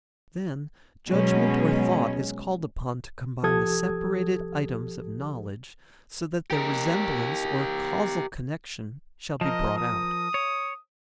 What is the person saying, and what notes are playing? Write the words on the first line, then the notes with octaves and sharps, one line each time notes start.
Then judgment or thought is called upon to combine the separated items of "knowledge" so that their resemblance or causal connection shall be brought out.
B2 F#3 G#3 C#4
C2 F3 G4 A4 D#6 G#6
G4 A#4
F3 A#4 D#5
D#6
C#5